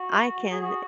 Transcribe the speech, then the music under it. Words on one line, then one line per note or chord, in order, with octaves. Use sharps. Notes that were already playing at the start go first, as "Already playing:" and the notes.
I can
Already playing: F#4
G#4
F#4